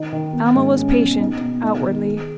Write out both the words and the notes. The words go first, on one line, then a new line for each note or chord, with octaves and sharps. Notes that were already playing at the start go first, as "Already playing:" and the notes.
Alma was patient--outwardly.
Already playing: D#3 D#4
D#3
B3
G#2
C#4
B2
D#4
B2
D#4
D#3
G#4